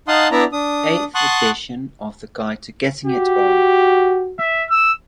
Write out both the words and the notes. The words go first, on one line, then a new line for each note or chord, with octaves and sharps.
The Eighth edition of the Guide To Getting It On!
D#4 F5 F#5 A5 C6 D#6
B3 D4 E4 D5 E5 A#5
D4 D#6
F#5 A5 C6 C#6 D#6 F#6
F#4 G4
E5
E6